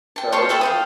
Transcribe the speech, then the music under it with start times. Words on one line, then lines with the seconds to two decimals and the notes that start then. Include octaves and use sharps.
Sorry, what were you saying?
0.16 G5 A5
0.32 C5 C#5 F5 A5
0.49 A4 E5 G5 B5
0.61 F5 G5 D#6